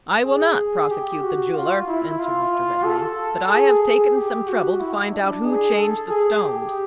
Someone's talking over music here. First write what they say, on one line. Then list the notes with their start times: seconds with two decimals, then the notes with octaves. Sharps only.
"I will not prosecute the jeweler," answered Mr. Redmain; "but I have taken some trouble to find out who changed the stones."
0.25 G#4
0.90 G4
1.22 F#4
1.55 F4
1.88 E4
2.20 F4
2.85 A4
3.49 G#4
3.83 G#4
4.14 G4
4.48 F#4
4.80 E4
5.12 D4
5.46 G#4
5.78 A4
6.10 G#4
6.43 G4